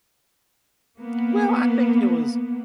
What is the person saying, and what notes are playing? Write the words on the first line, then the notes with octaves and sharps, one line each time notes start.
Well, I think it was
A#3 B3